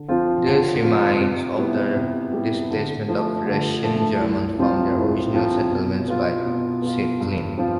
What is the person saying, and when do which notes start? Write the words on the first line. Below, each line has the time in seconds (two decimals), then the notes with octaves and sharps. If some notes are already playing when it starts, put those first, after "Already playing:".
This reminds of the displacement of Russian Germans from their original settlements by Stalin.
Already playing: D3
0.09 F3 C4 F4
0.46 D3
0.83 F3 C4 F4
1.20 C3
1.57 G3 B3 E4
1.95 C3
2.33 G3 B3 E4
2.70 D3
3.08 F3 A3
3.46 D3
3.83 F3 A3
4.20 C2
4.58 C3 F3 C4 F4
4.96 C2
5.33 C3 F3 C4 F4
5.70 B2
6.08 B3 F4
6.46 B2
6.82 B3 F4
7.20 G2
7.58 F3 C4 F4